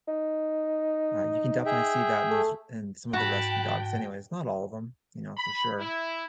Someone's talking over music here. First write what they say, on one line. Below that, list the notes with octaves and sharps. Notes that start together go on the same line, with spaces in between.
ah, you can definitely see that in those in some of the rescue dogs anyways, not all of 'em, you know, for sure.
D#4
G#4 E5 G5
A3
G#2 F#4 G5 A5 B5
B5
E4